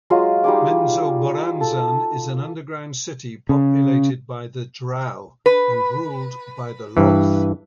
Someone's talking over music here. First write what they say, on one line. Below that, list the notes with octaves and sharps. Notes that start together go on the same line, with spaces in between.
Menzoberranzan is an underground city populated by the drow, and ruled over by Lolth.
F#3 G#3 F4 D#5
G3 D#4 G#4 D6
A4
C#3
B4
G2 E3